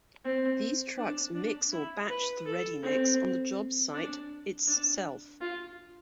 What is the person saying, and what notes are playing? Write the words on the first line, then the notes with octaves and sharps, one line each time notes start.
These trucks mix or batch the ready mix on the job site it's self.
C4
D4
D4
E4
B4
A4
C4
D4
D4
F4